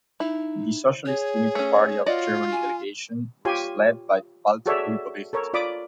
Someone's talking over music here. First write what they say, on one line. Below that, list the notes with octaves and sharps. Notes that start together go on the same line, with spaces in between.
The Socialist Unity Party of Germany delegation was led by Walter Ulbricht.
D#4 E4
G#4 C#5
A3 C#4
F4 F#4 D5 D#5
G#5
F4 G4 C#5 G#5 C6
F#4 G#4 A4 C#5 D5 E5
A4 A#4 C#5
F4 D5 B5 D6 D#6